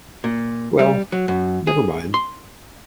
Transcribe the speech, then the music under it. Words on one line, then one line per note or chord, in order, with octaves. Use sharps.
Well, never mind.
A#2
G3
F#3
F#2
G#4
C6